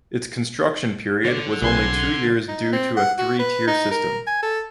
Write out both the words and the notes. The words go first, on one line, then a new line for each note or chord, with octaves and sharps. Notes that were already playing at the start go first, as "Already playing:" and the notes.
Its construction period was only two years due to a three-tier system.
D3 C#5 D5
B1 C4 G#4 B4 C6 G#6
D#4
C4
F#5
F#4
B4
D#4
A#4
G#5
A4